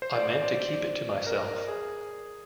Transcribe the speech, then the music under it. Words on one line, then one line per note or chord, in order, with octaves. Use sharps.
I meant to keep it to myself.
C5
D5
D5
D5
A#4
G#4